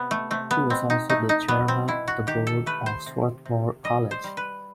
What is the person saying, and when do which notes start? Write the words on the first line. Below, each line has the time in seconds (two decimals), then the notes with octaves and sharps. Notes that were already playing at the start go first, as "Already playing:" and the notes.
He was also the chairman of the board at Swarthmore College.
Already playing: C3 B3
0.11 A3
0.30 C3 A3
0.51 B3
0.70 B2 C4
0.90 D#4
1.09 A3 D#4
1.29 D#4
1.48 F#3 B3
1.68 C4
1.88 B2 E4
2.08 F#4
2.27 D#3 G4
2.47 A4
2.66 A3 B4
2.86 C5
3.06 C3
3.45 C3
3.84 G3 D#5
4.11 C5
4.24 G3
4.37 B4